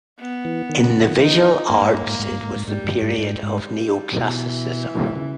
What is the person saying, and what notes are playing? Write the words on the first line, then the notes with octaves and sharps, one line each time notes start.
In the visual arts, it was the period of Neoclassicism.
B3
E3
D#3
C#3
C#3
D#3
E3 D#4
G2 A#3
G#2
G2
G#2
G#2
G2
G#2
G#2
G#2 G3
G2
G#2
G#2 G3
G#2
B2 E3
C#3